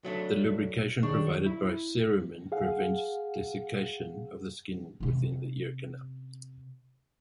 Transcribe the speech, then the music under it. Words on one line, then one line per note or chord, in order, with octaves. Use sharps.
The lubrication provided by cerumen prevents desiccation of the skin within the ear canal.
F#3 A3 D4
D#3 D4 G4 G#4 C#5 C#6
E4
G#4 F5 F#5
C3 C#4